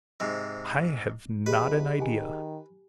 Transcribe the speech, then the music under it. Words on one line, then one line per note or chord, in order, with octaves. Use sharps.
"I have not an idea."
G#2 C3 G#4 C6
E2 G4 G#4 B4 D#5
D#3 G4 G5 G#5